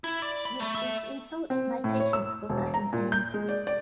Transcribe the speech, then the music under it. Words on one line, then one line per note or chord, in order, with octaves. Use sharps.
With this insult my patience was at an end.
E4
D5
B5
A3
A4 E5
C4
A2
C#5
E6
E1
A#5
A#2
G6
G#3
D5
D5